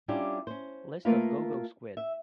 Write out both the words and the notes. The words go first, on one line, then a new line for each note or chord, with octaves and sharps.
List of Go Go Squid!
G3 C#4 D4 E4 F4 G4
C#4 C5
A3 A#3 F4 A#4 B4 F5
E5